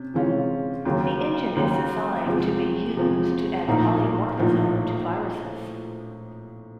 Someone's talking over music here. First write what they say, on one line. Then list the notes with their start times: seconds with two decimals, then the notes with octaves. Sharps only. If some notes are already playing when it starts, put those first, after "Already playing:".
The engine is designed to be used to add polymorphism to viruses.
Already playing: C3 C#4
0.14 C3 E3 G#3 C#4 F4
0.85 D#2 C#3 F#3 A#3
1.55 D#2 C#3 F#3 A#3
2.26 E2 C3 F3 G#3
2.97 E2 C3 F3 G#3
3.68 A#1 A2 F3 A#3 D#4
4.37 A#1 A2 F3 A#3 D#4